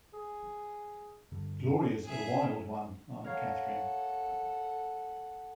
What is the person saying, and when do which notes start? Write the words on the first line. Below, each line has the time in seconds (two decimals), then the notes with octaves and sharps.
Gloria's a wild one, Aunt Catherine.
0.13 G#4
1.32 G2 D3
2.04 G#4 E5
3.24 A4 A#4 C#5 F5 F#5